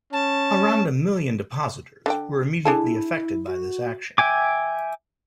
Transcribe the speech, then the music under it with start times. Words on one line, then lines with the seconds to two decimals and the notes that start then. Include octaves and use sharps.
Around a million depositors were immediately affected by this action.
0.13 C#4 A5
2.06 D3 F4 G5
2.65 D4 E4 G#4 A4
3.48 F#4
4.18 E5 G5 G#5 D6